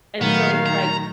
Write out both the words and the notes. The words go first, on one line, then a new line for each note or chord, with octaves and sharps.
and so it's like,
A#2 D#3 F#3 A3 B3 F5
A#5